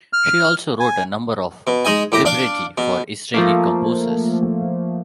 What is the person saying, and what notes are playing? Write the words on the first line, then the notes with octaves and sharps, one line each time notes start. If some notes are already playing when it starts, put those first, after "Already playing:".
She also wrote a number of libretti for Israeli composers.
F6
G#5
B2
G#3 D#4 G#5
A2 G4 A#5
D4 D5 F5
B2
F3 A3 A#3